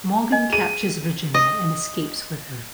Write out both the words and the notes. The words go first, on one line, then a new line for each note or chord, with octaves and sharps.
Morgan captures Virginia and escapes with her.
D#5 G#5
G#4 D#7
D#5